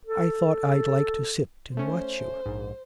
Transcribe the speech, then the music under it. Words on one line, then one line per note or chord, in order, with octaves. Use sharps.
I thought I'd like to sit and watch you.
A4
A3 C#4 C5
A#1 G#2